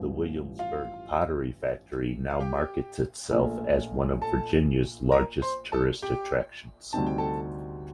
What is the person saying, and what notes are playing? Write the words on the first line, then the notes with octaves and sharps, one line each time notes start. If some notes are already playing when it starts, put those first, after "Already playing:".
The Williamsburg Pottery Factory now markets itself as one of Virginia's largest tourist attractions.
Already playing: A1 G2 F3
F4 F5
F5
G4 G5
A#1 A#2 A3
A4 A5
A#4 A#5
C5 C6
A4 A5
G4 G5
D2 C3 G3 C4 D#4 A5
G5
A4 A5